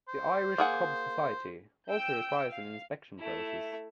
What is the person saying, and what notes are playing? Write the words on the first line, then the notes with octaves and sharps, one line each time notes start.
The Irish Cob Society also requires an inspection process.
C5
A#3 G#4 F#5
G5 E6 G6
F5
A3 E4